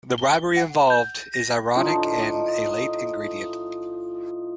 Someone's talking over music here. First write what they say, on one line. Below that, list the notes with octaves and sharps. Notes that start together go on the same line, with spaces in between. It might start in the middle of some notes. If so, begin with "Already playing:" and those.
The bribery involved is ironic and a late ingredient.
G7
F#5
G6
A#6
A2 D3 F3 D#4
D#5